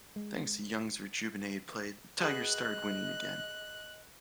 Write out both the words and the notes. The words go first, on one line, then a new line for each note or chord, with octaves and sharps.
Thanks to Young's rejuvenated play, the Tigers start winning again.
G#3
F#4 G#4 B4 D#5 F#6